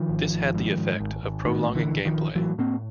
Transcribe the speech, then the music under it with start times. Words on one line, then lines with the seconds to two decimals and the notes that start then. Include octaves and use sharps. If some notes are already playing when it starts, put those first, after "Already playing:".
This had the effect of prolonging gameplay.
Already playing: D#3 F3
0.09 G#1
0.32 G#1
0.55 G#2
0.77 G#2
1.00 G#1
1.23 G#1
1.45 A2 D#3
1.68 A#1
1.75 D3 E3
1.90 A#1
2.05 D#3 F3
2.13 A#1
2.35 A2 E3 F#3
2.58 A2 A#3 C4